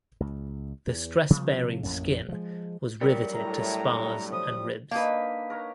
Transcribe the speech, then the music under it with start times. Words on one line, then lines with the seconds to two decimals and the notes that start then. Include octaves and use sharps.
The stress bearing skin was riveted to spars and ribs.
0.20 C#2
0.87 E2
1.30 C3 F3 G3 A#3
1.83 A1 F2 A#3 C#4
2.29 F3 G#3
3.01 G2 F#3 G3 A#4
3.34 A2 A#5
4.32 F3 D#6
4.91 A#3 D4 D#4 B4 F5
5.50 A#4 C#5 F#5